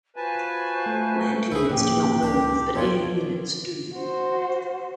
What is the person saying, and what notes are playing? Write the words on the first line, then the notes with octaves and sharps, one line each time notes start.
Land units do not move but air units do.
F4 F#4 B4 C5 G#5 A5
A3
C#2 E4 G#4 B4
A#1 A2 G4 G5
C#2 D4 G4
F2 B2 E3 D4 F4 C#5
F#4 C5